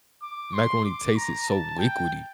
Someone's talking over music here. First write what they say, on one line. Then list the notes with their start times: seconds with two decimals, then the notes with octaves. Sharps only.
macaroni tasted so liquidy.
0.22 D6
0.54 C6
0.85 D6
1.16 A#5
1.48 A5
1.79 G5